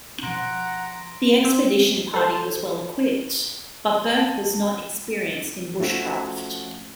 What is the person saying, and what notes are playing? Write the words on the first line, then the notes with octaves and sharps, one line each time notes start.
The expedition party was well equipped, but Burke was not experienced in bushcraft.
B2 F3 F#5 A#5 C6 A#6 D7
C4
A4 C5
A5
F3 A3 C#4 F#4